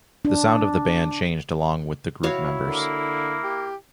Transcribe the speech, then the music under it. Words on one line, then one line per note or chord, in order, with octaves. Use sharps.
The sound of the band changed along with the group members.
D4
E4 F#4 C#5 F5
D3 A#3
G4